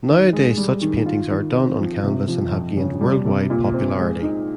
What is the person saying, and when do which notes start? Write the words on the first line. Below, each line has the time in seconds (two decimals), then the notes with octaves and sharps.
Nowadays such paintings are done on canvas and have gained worldwide popularity.
0.08 D#3
0.33 G#3
0.57 G3
0.81 D#3
1.06 F4
1.30 D#3
1.55 C4
1.79 F3
2.03 C3
2.28 F3
2.52 F2
2.76 C#3
3.01 G3
3.25 C3
3.50 A#2
3.74 C4
3.98 G#3
4.22 D#4